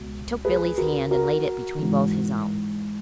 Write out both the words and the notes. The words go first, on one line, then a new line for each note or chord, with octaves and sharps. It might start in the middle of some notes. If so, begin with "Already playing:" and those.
He took Billie's hand and laid it between both his own.
Already playing: C#2 B2
G#4 B4
F#4 A#4
F#4 A#4
G#2 E3